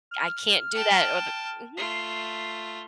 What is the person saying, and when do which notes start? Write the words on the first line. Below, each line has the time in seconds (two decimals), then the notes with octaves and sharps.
I I can't do that, or the mhm.
0.11 F6
0.74 G5 A5
1.77 A3 F4 C7